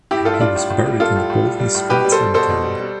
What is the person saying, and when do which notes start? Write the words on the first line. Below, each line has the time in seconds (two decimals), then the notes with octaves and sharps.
He was buried in the Bolton Street Cemetery.
0.11 A2 E4 G4
0.25 G3 F4 A4
0.34 E4
0.40 G3 D4 F4
0.56 A2
0.70 A2
0.85 G3
1.00 G3 F4 A4
1.16 A2
1.30 A2
1.45 G3
1.60 G3
1.75 A2
1.89 B2 G4 B4
2.05 G3
2.12 A4 C5
2.20 G3
2.34 B2 A4 C5
2.49 B2
2.64 G3
2.80 G3